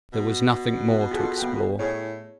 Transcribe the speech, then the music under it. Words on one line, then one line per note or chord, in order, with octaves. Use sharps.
There was nothing more to explore.
B2
F4 G#4 A4
B3 G5
A2 G#4 C#5